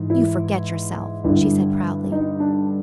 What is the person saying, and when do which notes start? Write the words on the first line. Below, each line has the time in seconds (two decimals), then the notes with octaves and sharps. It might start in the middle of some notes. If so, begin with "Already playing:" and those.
"You forget yourself," she said proudly.
Already playing: G#2 E3
0.10 E4
1.24 G2 D3 E4
2.12 D#4
2.40 D4